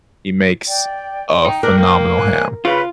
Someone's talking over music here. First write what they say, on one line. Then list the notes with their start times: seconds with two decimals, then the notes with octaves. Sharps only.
he makes a phenomenal ham,
0.67 D5 G5
1.45 D#4 G5
1.63 D4 A#4
1.78 A#3
2.15 G#5 F#6
2.65 C#3 F4 B4